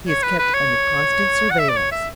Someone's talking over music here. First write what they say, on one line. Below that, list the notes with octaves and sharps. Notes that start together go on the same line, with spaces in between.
He is kept under constant surveillance.
C#5
B4
B4
C#5
F#5
E5
D5
C#5
E5